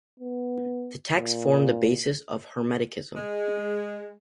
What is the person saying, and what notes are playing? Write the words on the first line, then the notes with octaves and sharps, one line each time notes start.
The texts form the basis of Hermeticism.
B3
A#2
G#3